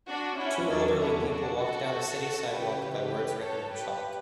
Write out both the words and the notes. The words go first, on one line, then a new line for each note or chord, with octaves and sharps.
Two elderly people walk down a city sidewalk by words written in chalk.
D4 F#4
C#4 E4
E2 D3 F#3 D4
C#4 E4
D4 F#4
F#4 A4
F#2 C#3 E3 G4 B4
G4 B4
A4 C#5
G4 B4